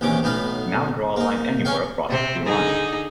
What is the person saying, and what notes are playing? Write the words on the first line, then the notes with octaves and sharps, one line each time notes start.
Now draw a line anywhere across the two lines.
A#1 C3 D#3 E3 C#4 D6
B1 A2 B3 D#4 F5 B5
A#3 D#4
C#4 C#5 F5 G5
C3 C4
D3 D#4 G#4